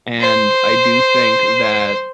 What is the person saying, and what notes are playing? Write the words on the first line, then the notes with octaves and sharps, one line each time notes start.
and I do think that,
C5